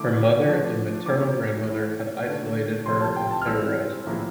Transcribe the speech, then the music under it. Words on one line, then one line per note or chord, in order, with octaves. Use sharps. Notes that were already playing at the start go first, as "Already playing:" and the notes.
Her mother and maternal grandmother had isolated her and terrorized her.
Already playing: D3 A3 E4 D6
F3 A3 D4
E3 A#3 E4 D6
E3 A3 E4
D3 A3 D4
C3 F3 C4 E4 C6
A5
G5
A5
F6
E3 G3 C4 E4 E6
A2 F3 A#3 E4